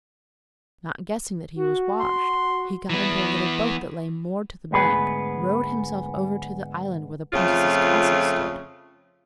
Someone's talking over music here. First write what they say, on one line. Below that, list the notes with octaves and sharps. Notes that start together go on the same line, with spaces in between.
Not guessing that he was watched, he got into a little boat that lay moored to the bank, rowed himself over to the island where the princess's castle stood.
F#4
C6
E3 B3
D2 G#2 B3 G#4 B4
F2 C#3 A3 F4